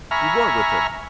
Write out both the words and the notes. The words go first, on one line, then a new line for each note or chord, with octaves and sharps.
"You were with him?"
E5 G#5 A#5 B5 C#6 F6